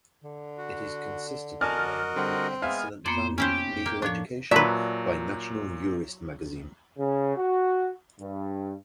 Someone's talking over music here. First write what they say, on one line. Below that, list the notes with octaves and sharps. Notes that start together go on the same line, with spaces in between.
It is consistently named an "excellent value" in legal education by National Jurist Magazine.
D3
F#4
F#4 A#4 D5 D#5 G#5 A5 F6
D3 G3 C4 F#5
G#3 B3 E5 F5 G#5 F6
F2 A#3 B3 C5 D5
C#4 E4 G4 C5
A#3 G5
A2 F3 D4 C#5
A#2 F#3 B4 D5 E5 A5 A#5 C6
C#3
F#4
G2